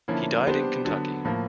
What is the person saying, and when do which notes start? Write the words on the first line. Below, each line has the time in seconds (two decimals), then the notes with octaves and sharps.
He died in Kentucky.
0.08 D3 F3 A#3 C#4 E4
0.47 G3 B3 D4 G4 C5
0.85 D3 F#3 B3
1.25 A2 F3 A#3